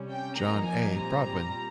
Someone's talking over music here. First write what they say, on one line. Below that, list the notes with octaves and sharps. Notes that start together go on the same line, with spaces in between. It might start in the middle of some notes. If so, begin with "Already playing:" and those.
John A. Broadwin.
Already playing: C3 G3 C#4
G5
F3 A#3 D#4 A#5
G#5
A#2 G3 C4 A#5